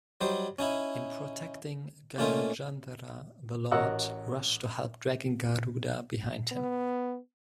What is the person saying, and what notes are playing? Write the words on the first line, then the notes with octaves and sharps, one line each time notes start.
In protecting Gajendhra the Lord rushed to help dragging Garuda behind Him.
F#3 G3 D#4 C5
C#4 D#4 E4
A#2 A3 C#4 D#4 F4
A1 F#4 A#4 D#5 F#5 E6
B3